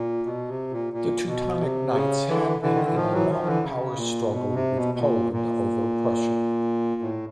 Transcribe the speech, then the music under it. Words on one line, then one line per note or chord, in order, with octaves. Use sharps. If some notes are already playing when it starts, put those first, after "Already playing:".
The Teutonic Knights had been in a long power struggle with Poland over Prussia.
Already playing: A#2
B2
C3
A#2
A#2
B2
C3
C#3
D3 E3
D3 E3
D#3
E3
D#3 F3
E3 F#3
D#3 F3
D3 E3
C#3
A#2
B2
C3
B2
B2
A#2
A#2
A2